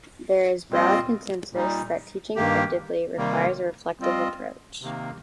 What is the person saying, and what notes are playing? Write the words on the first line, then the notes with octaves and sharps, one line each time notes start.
There is broad consensus that teaching effectively requires a reflective approach.
A#2 G3 C4 F4 D#5
A#2 G3 D#4
G2 D#3 A#3 G4
C3 D#3 G3 A#3
G3 C4 F4 D#5
C3 D#3 A#3